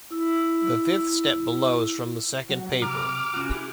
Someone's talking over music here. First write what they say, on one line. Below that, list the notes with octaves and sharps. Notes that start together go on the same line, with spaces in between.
The fifth step below is from the second paper.
E4 E6
F#3
C3 A#5 D6 F6
C#4 F4 F#4
E4 G4 G#4